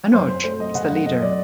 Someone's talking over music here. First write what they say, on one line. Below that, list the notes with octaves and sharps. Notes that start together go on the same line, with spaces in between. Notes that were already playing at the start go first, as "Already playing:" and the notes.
Manoj is the leader.
F#2 C5
F#3 C5
A3 C5
F#3 D#5
A3 F#5
F#3 F#5
F#2 D#5
F#3 D5